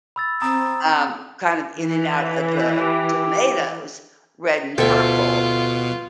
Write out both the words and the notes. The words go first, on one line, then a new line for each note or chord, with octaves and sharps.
um, kind of in and out of the tomatoes, red and purple.
B5 E6 A6
C4 A#5 D#6
E3
G4
D2 B2 F4 A4 E5 G5